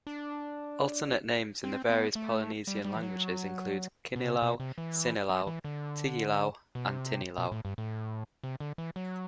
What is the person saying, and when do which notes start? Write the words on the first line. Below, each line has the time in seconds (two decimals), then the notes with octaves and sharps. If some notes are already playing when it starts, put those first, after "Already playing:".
Alternate names in the various Polynesian languages include Kinilau, Sinilau, Tigilau, and Tinilau.
0.07 D4
1.64 C4
1.89 B3
2.15 A3
2.67 G3
2.85 G3
2.96 E3
3.02 F#3
4.16 B2
4.24 C3
4.42 B2
4.60 C3
4.78 E3
5.30 F#3
5.47 E3
5.64 D3
6.75 B2
6.86 C3
7.38 B2
7.52 A2
7.65 G2
7.78 A2
8.44 C3
8.60 D3
8.78 E3
8.96 F#3